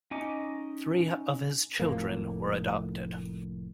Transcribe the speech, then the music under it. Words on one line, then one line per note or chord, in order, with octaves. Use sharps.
Three of his children were adopted.
C#4 D#4 D#5 D6
F1 F2 A2 A#3